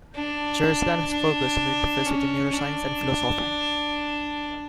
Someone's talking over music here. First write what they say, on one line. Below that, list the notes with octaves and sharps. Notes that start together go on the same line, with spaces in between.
Churchland has focused on the interface between neuroscience and philosophy.
D4
D4
C#4
D4